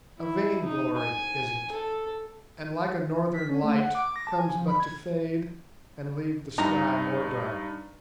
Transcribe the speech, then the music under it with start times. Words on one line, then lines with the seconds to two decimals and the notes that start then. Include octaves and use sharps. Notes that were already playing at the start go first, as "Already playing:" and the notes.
A vainglory is it, and like a northern light, comes but to fade and leave the sky more dark.
0.18 E4
0.64 D#4
0.97 G#5
1.71 A4
3.33 B6
3.50 C#4
3.63 A3
3.82 F#5
3.95 D6
4.16 A#6
4.27 A5
4.38 G#5
4.55 F3
4.68 B5
4.80 G#6
6.58 G2 D#4 A#5